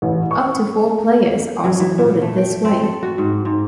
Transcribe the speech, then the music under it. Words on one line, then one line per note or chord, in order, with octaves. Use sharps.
Up to four players are supported this way.
A1
C#6
F#3
E3
A#2
A3
G5
A3
C4
A4
F#4
G#2
G#2